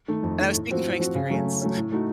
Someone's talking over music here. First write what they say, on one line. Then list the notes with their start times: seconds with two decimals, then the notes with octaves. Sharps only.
and I was speaking from experience.
0.08 D#3 A3
0.23 F2
0.39 D#3 A3
0.54 A2
0.70 F3 C4 F#4
0.85 A2
1.00 F3 C4 F#4
1.15 C#3
1.30 F#3 A3 C#4
1.45 C#3
1.61 F#3 A3 C#4
1.76 A2
1.92 A3 D#4 F#4